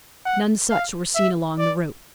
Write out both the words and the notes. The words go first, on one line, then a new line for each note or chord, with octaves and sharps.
None such were seen along the route.
F#5
F5
E5
D5